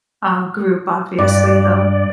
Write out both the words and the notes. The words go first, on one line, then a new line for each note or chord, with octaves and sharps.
uh, group, obviously, though.
G2 D5